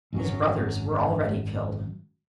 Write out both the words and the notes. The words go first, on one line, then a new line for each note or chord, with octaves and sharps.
His brothers were already killed.
G#1 F#2 F#3